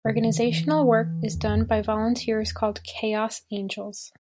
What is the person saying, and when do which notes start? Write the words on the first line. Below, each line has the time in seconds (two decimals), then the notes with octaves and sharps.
Organizational work is done by volunteers called "Chaos Angels".
0.05 C#3
0.14 D#3
0.24 E3
0.34 D#3
0.44 E3
1.23 D#3
1.35 E2
1.48 F#2
1.61 E2